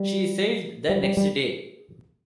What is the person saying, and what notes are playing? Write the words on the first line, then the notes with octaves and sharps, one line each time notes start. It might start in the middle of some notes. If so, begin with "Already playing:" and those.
She sailed the next day.
Already playing: G3
G3
G3
G3